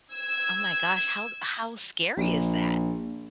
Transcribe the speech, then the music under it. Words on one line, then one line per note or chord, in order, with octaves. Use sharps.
Oh my gosh, how how scary is that?
E6 G#6
A#1